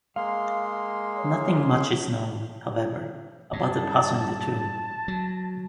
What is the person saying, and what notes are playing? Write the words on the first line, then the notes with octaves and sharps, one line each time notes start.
Nothing much is known, however, about the person in the tomb.
G#3 A#3 F5 C6
C#5
G2 A5
F#3